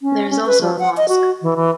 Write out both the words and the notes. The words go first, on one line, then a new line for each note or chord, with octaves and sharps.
There is also a mosque.
C#4
C#4
B4
F3
F#5
D#5
F#4
E3
E3